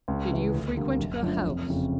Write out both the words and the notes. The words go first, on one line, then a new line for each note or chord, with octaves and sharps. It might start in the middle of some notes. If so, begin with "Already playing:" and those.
"Did you frequent her house?"
C#2
C#3 E3
D2
D3 G3 A#3
F#1
F#2 D3 F3 A3
F1
F2 C#3